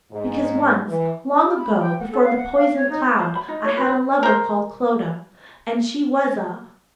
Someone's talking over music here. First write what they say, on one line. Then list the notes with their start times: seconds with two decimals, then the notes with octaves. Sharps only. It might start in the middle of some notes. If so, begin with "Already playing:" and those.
'Because once, long ago before the poison-cloud, I had a lover called Clodagh: and she was a....'
0.10 G#2
0.86 E3
1.44 G4
1.56 B5
1.80 G5
2.00 F#5
2.12 A4
2.24 F5
2.36 F#5
2.56 F5
2.76 C#5
2.90 D#4
3.19 C5
3.35 B5
3.48 D#4
3.65 C#5
3.77 B4
3.88 B5
4.23 A#4 C5